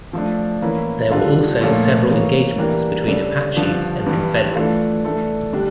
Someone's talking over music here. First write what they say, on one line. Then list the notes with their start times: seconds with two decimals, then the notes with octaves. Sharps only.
There were also several engagements between Apaches and Confederates.
0.13 F3 A3 D4
0.62 E3 A#3 C#4 E4 A#4
1.11 D3 G3 D4 F4 A4
1.61 A#2 F3 A3 C#4
2.09 E3 A#3 C#4
2.58 E3 A#3 D4 G4 A#4
3.07 C#3 G3 D4 A4
3.56 G2 D3 F3
4.06 G2 E3 G3
4.55 E3 A3 D4 F4 A4
5.04 E3 A3 D4 A4
5.53 D3 G3 D4 G4